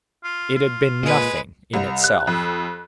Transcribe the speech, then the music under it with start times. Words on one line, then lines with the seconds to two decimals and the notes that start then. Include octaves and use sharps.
It had been nothing in itself.
0.24 F4
0.56 F4
1.03 A#2 G#3 B4
1.74 C2
2.04 F#6
2.27 F2